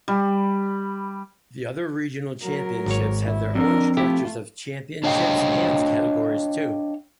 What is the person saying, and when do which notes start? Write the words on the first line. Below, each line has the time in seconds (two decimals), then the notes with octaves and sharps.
The other regional championships had their own structures of championships and categories too.
0.08 G3
2.42 F#3 A#4
2.86 G#1 C#5
3.25 E4
3.55 F2 D4 A#4
3.97 A3 E4 F4 G4
5.04 D4 C#5 D#5 F5 G5